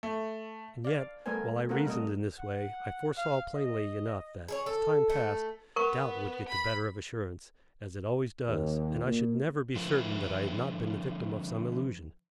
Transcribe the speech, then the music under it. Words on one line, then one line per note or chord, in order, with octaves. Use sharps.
And yet, while I reasoned in this way, I foresaw plainly enough that, as time passed, doubt would get the better of assurance, as it always does, and I should never be certain that I had not been the victim of some illusion.
A3
D5 F5
G3 A3 B3 A#4 C5 G#5
A3 C4 F4 A#4 F#5
G3 A3 D#5
F#5
F5
D#5
G#4 A4 C#5
A4
A3
B3 A#4 C#6
B5
D#2
A#2
D3 F3 E4 A#4 E5